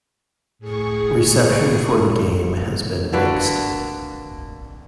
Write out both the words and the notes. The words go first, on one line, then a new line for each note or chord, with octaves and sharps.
Reception for the game has been mixed.
A2 G#4 C#6
D3 A3 A#3 D4 F#4 B4